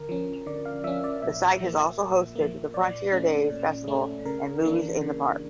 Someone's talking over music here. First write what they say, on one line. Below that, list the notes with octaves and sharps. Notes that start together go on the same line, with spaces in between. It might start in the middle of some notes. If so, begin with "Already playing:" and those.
The site has also hosted the Frontier Days festival and Movies in the Park.
Already playing: D3 A#4
F3 C#4
D3 D5
F5
F3 C#4 E5
D5
A#2 E5
F3 A#3
A#2
F3 A#3
A#2 D5
A3 C#4
A#2
A3 C#4
C#3 A#4
E3 A#3 D4
C#3